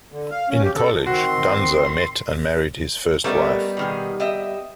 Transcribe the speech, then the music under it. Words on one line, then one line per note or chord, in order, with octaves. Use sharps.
In college, Danza met and married his first wife.
D3
F5
C#4
G4
A4
D#3 C4 F#4 C6
G3 A3 B3 C#4 D#4 A#4
B2 D#3 G#4
G4 D#5 E5